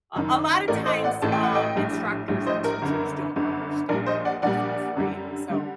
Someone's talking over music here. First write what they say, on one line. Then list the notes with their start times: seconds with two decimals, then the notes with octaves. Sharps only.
uh, a lot of times, um, instructors or teachers don't understand that process, right? So,
0.15 F#1 F#2 D#3
0.68 A1 A2 A3 A#4 D5
0.86 C5 D#5
1.04 D5 F#5
1.22 A1 A2 A3 A5
1.32 G5
1.43 F#5
1.54 D#5 G5
1.76 A#1 A2 G3
2.28 A#1 A2 G3
2.47 C5 D#5
2.64 A#4
2.82 G1 F#2 D3
3.36 G1 F#2 D3
3.89 A#1 A#2 G3 A#4 D5
4.06 C5 D#5
4.25 D5 F#5
4.42 A#1 A#2 G3 D5 F#5
4.96 F#2 D3 G3
5.50 D3 G3